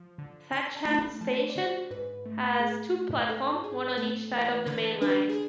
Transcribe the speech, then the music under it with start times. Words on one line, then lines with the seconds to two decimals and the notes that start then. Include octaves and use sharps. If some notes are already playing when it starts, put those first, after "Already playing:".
Thatcham station has two platforms, one on each side of the main line.
Already playing: F3
0.18 D3
0.52 D3 C6
0.77 A5
0.87 A3 B5
1.21 F3 A5
1.50 D5
1.55 D3 C5
1.91 G#2 B4
2.26 A3
2.60 A3 G#4
2.95 G#2
3.29 G#2 A4
3.63 G#2 G#4
3.97 A3 A4
4.33 E3
4.66 D3 B4
5.02 D4 B4
5.29 G#4